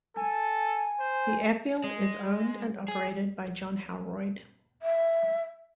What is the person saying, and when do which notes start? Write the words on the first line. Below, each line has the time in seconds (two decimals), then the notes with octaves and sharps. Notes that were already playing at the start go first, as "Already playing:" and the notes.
The airfield is owned and operated by John Howroyd.
0.17 A4 G#5
1.00 C5
1.84 G#3
2.88 G#4
4.82 E5